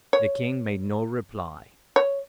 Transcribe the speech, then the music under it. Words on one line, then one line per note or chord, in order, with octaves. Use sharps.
The king made no reply.
C#5
C#5